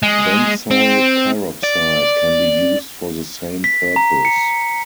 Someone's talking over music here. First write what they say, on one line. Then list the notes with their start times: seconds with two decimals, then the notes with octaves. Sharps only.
Benzoyl peroxide can be used for the same purpose.
0.03 G#3
0.71 C4
1.63 D5
3.64 B6
3.96 A#5
4.25 C#7